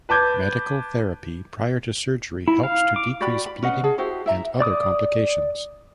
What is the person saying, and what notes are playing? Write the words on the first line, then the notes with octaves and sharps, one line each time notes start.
Medical therapy prior to surgery helps to decrease bleeding and other complications.
B4 A5 D6 G6 G#6
E4
F5
D6
F#4 G4 D5 B5
B5
C#4 B4 D#5 F#5
G#4 A5
E4 F#4 G4 C5
E4 E5 A#5
D5 D6 D#6